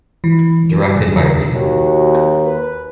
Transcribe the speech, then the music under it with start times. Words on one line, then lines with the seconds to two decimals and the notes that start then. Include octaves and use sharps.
Directed by reason.
0.24 E3
0.95 C#3
1.54 D#2 F#4
2.45 B4